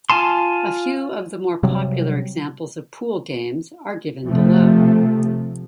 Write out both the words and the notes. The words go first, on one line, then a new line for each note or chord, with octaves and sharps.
A few of the more popular examples of pool games are given below.
F4 G#5 A5 C6
C3 F#3 G3
C3 F3 A3